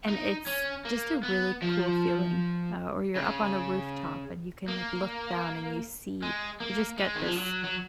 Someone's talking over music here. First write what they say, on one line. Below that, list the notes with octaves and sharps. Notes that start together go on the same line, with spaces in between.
And it's just a really cool feeling, uh, or you're up on a rooftop and you can, like, look down and you see you just get this
D#4
C#4
A#3
B3
F3
C#3
A#3
G#3
A#3
G#3
D#3
F3
F#3
F#3